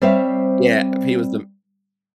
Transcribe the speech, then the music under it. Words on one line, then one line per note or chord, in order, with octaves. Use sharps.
Yeah, he was the m
G3 C4 C5 C#5 E5 F5